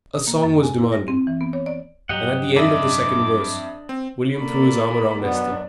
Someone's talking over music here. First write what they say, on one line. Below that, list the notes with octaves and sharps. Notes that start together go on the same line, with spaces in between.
A song was demanded, and at the end of the second verse William threw his arm round Esther.
B2
A#3
F#2
G#5
E4
A#6
C4
E3
B3
C#5
D5
G2 F#3 G4 D#5 F#5
F2 D4 D#5 E5 D6
C4
A#3 A4 D5 B5
F#2 B2 B3 D4